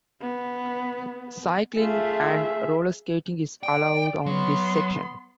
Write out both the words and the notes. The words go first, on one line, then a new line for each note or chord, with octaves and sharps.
Cycling and rollerskating is allowed on this section.
B3
A3 F4 G#4 E5
D5 G5
F#3 B3 C6